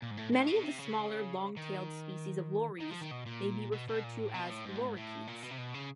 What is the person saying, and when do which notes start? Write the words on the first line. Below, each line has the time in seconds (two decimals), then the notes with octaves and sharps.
Many of the smaller, long-tailed species of lories may be referred to as "lorikeets".
0.02 A#2
0.11 G#2
0.17 A2
0.33 A2
0.48 B2
0.64 C3
0.79 C#3
1.57 D#3
2.80 D#3
2.90 F3
3.01 D#3
3.11 B2
3.26 A#2
3.73 B2
3.88 B2
4.04 A#2
4.19 A2
4.34 B2
4.50 A2
4.65 G#2
4.76 A2
4.86 G#2
4.97 A2
5.27 A#2
5.43 B2
5.51 C3
5.58 B2
5.74 C#3